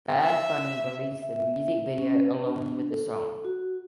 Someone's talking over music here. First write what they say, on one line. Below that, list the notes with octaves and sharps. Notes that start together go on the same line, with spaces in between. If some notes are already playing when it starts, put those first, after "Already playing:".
Bad Bunny released the music video along with the song.
E5
E5
C#4
B4
D4
A4
F#4